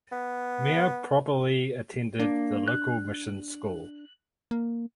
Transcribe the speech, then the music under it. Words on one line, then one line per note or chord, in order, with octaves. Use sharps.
Mere probably attended the local mission school.
B3
A#3 D4
F#6
A#3